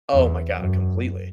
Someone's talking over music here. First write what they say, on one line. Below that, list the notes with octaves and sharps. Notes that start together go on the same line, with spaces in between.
Oh my god, completely.
E2
F#2